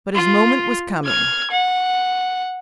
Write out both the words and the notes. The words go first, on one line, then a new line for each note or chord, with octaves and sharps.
But his moment was coming.
F4
F6 G#6
F#5